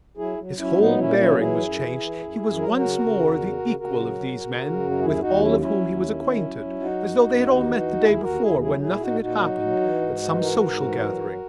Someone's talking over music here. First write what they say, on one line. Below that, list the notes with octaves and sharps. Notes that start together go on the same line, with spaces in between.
His whole bearing was changed; he was once more the equal of these men, with all of whom he was acquainted, as though they had all met the day before, when nothing had happened, at some social gathering.
F#3 E4 G#4
F#3
F#3 C#4 E4
A#2 B3 D#4
A#2 C#4 E4
F#3 C#4 E4
E3 E4 G#4
F#2
E3
E3
F#2
F#2
F#3 A#4
C#3 F#4 A#4
C#3
E2
C#3
C#3
C#3 F#4 A#4
F#3
C#3
C#3
C#3
F#2
A#4
D#2 E4 G#4
G#4
D#2 D#4 F#4
F#3 C#4 E4
F#3 C#4 E4
D#2
D#3
D#3
F#3
F#3
F#3 D#4 F#4
F#2
F#2
D#2
E3
D#2
D#2 E4 G#4
G#4
D#2 F#4 A#4
D#2 E4 G#4
F#3 E4 G#4
A#2 E4 G#4
A#2 D#4 F#4
A#2 D#4 F#4
F#3
F#3
E3
G#2
E3
G#2 F#4 A#4
G#2
E3
F#3
F#3